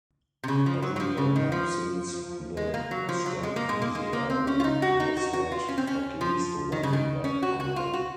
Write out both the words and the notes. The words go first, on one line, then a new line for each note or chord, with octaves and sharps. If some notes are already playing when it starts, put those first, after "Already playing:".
Every line-up since the "Stand Easy" album has had at least one bagpiper.
C3
C#3
F3
F#3
F#3
F3
C#3
D#3
F3
G#3
A#3
F#3
F3
F#3
G#3
A#3
G#3
A#3
G#3
A#3
C4
C#4
F4
D#4
F#4
D#4
F#4
F#4
F4
C#4
C4
C#4
F3
D#3
C#3
D#3
C#4
F#4
F#4
F4
F#4